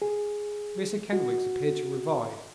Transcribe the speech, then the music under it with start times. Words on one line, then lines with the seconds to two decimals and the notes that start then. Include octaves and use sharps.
Mr Kenwigs appeared to revive.
0.02 G#4
1.13 F#4